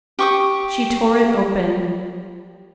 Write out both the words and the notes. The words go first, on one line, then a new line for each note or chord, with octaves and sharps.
She tore it open.
G4 C#6 D#6